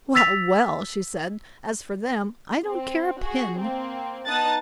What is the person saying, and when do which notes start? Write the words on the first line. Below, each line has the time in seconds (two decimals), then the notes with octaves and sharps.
'Well! well!' she said, 'as for them, I don't care a pin.
0.15 E6 A6 B6 F7
2.67 C4
3.20 F#4 G#4
3.58 A#3 C4
4.26 B3 D#4 A5 D#6 F#6 A6